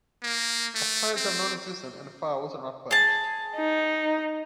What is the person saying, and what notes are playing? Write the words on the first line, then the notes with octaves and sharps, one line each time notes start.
Offsides are non-existent and fouls are not punished.
A#3
A3
C4
G#4 A5
D#4